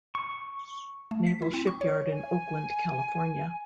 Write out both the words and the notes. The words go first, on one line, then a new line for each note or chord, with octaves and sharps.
Naval Shipyard in Oakland, California.
C#6
A3
B6
E4
C4
C#6
C#5
G#5